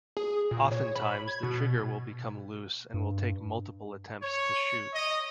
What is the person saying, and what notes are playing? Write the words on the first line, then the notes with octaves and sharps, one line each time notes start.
Oftentimes the trigger will become loose and will take multiple attempts to shoot.
G#4
A#2
C#5
B5
G#6
B2
G2
C#5
D#5